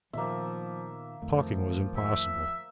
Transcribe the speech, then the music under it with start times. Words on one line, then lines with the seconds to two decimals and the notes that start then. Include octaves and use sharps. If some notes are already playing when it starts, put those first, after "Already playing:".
Talking was impossible.
0.13 A#2 D#3 F3 A#3 B3 E5
1.22 F2 D#3 F3 A3
1.96 E5